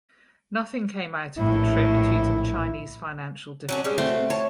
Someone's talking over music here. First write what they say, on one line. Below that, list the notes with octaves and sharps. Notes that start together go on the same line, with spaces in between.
Nothing came out of the trip due to the Chinese financial difficulties.
A#1 A2 E4
F#3 C#4 D4
G3 G#3 C#4
A3 C4 F#4
C#5 A5